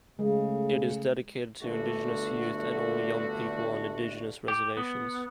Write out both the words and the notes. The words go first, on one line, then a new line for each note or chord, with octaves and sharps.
It is dedicated to indigenous youth and all young people on indigenous reservations.
C#3 G#3 A3
G1 D3 A3 F#4
G4
B3